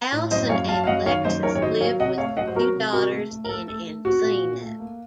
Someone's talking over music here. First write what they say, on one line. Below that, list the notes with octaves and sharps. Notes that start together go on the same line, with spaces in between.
Alyson and Alexis live with their two daughters in Encino.
A2
F#2 C5 D#5
F#2 C#5 F5
F#3 F5 A5
F5
F#2 D#5 F#5
D#3 C#5 F5
F#2 C5 D#5
D#3 A#4 C#5
C#5
F#3 C5 D#5
F#3 C#5 F5
C3 D#5 F#5
A3 C#5 F5
F#3 D#5 F#5
C5
F#3 F#4 A#4
C3
C3 F#4 A#4
A3
A3
A#4
A3 A4
A3 A4
A3
C4 F#4
A#2
A#2
A3
A#3